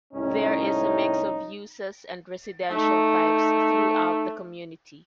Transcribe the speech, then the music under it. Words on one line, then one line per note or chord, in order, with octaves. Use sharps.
There is a mix of uses and residential types throughout the community.
C2 A2 C#4 D#4
A3 D#4